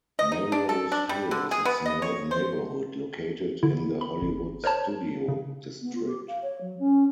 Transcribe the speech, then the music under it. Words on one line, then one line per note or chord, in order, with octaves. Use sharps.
Melrose Hill is a small neighborhood located in the Hollywood Studio District.
D#5
D#4
D4
A4
D4
G3
D3
G#4
B3
D#5
C#5
C5
D3 E4
B5
G1
A#4 C5 C#5 A5
C#3
B3
F4
G4
F5
C#5
F#3
C#4